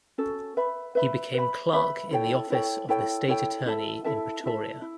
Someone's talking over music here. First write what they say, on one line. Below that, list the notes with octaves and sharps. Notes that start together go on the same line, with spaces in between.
He became clerk in the office of the State Attorney in Pretoria.
C#4 F#4 A4
B4 E5 B5
B4 E5 B5
B4 E5 B5
B4 E5 B5
E4 A4 C#5 G5
E4 A4 C#5 G5
E4 A4 C#5 G5
E4 A4 C#5 G5
E4 A4 E5 A5
E4 A4 E5 A5
E4 A4 E5 A5
E4